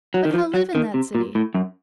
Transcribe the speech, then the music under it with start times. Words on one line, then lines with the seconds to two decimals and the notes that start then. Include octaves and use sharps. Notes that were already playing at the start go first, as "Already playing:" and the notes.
But how live in that city?
0.14 F#3
0.25 D#3
0.34 F3
0.54 F#3
0.75 D#3
0.94 C3
1.15 A#2
1.35 A2
1.54 F#2